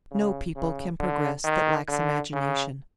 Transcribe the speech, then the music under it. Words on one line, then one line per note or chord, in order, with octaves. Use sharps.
No people can progress that lacks imagination.
C#3
C#3
D3
D#3
D3
C#3